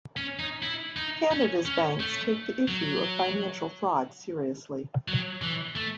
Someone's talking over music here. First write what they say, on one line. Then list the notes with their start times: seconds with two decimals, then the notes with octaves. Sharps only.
Canada's banks take the issue of financial fraud seriously.
0.17 C#4
0.39 D#4
0.62 E4
0.96 D#4
1.31 C#4
1.65 C#4
2.00 A3
2.68 F#3
5.08 F#3
5.42 E3
5.76 A3